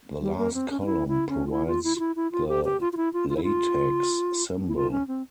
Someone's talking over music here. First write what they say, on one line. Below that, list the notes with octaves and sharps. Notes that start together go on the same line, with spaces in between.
The last column provides the LaTeX symbol.
G3
A#3
C4
C#4
C#4
E4
E4
C#4
F4
E4
F4
E4
F4
E4
E4
F4
G4
G4
F4
F4
E4
F4
F4
E4
F4
E4
F4
C#4
C4